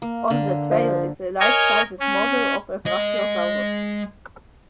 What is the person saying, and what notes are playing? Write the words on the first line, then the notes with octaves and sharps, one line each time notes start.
On the trail is a life-sized model of a brachiosaurus.
A#3
D3
F3
A#4 C#5 D#5 G#5
C#4
G#3 D#5